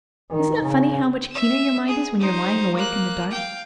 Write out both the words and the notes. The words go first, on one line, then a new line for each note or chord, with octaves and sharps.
Isn't it funny how much keener your mind is when you are lying awake in the dark?
D#3 D#4
C#3
E5 E7
G#4
D#4 C5
A#3 F#6
F5 G5